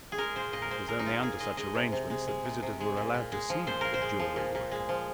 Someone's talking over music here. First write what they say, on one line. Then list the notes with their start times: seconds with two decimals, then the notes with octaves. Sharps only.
It was only under such arrangements that visitors were allowed to see the jewelry worker.
0.12 G#4
0.18 G#3 A#4
0.36 A#2 C5
0.53 A#2 D#5
0.62 A#4
0.70 G#3 C5
0.88 G#3 A#4
0.99 D#4
1.05 A#2 F4
1.23 A#2 G#4
1.40 G#3 D#5
1.57 G#3 D#5
1.75 C3
1.92 C3
2.10 G#3
2.28 G#3
2.45 C3
2.62 C3
2.80 G#3
2.97 A#2
3.14 A#2
3.32 G#3
3.50 F3
3.67 A#2 C5
3.81 A#2 A#4
3.94 C5
4.02 G#3
4.19 F3
4.36 A#2
4.55 A#2
4.71 G#3
4.89 F3